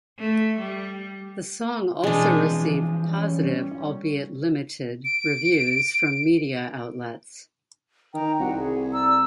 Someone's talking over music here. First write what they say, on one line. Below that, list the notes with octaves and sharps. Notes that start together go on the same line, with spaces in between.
The song also received positive-albeit limited-reviews from media outlets.
A3
G3
B2 E3 F3 G#3 C4 D4
G3 C#4
D7
D#3 G5 A#5
C2 F#4 F#5
G#4
D5 A#5 E6